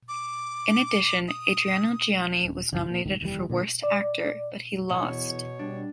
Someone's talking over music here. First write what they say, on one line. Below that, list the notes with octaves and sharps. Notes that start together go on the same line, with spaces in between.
In addition, Adriano Giannini was nominated for “worst actor” but he lost.
D6
D#6
D#1
F#1 C#2 G2 E3
A#2
D1 C#2 G#2 D#3
F1 D#2 E3 G3
A#2 D3 F3
D5
E2 B2 C#5
G3 D4